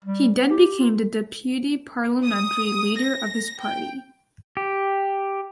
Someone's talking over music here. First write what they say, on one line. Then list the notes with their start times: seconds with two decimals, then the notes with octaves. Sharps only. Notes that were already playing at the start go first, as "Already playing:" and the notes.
He then became the deputy parliamentary leader of his party.
0.04 G3
0.37 B3
0.50 G4
0.79 F4
2.24 D#6
2.98 A#6
3.62 G5
4.57 G4